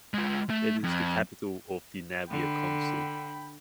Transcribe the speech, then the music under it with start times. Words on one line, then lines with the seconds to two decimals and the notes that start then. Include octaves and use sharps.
It is the capital of the Navia council.
0.14 G#3 F4
0.50 A3 E5
0.84 F2
2.30 D3 G5 B5